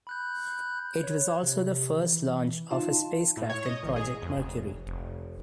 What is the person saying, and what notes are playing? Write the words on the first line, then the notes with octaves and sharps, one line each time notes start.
It was also the first launch of a spacecraft in Project Mercury.
B5 F#6 G6
C#5
C3
E3
D#4 F4 A5
A2
C#5
D#5
A1
G#4
F2
F1
F1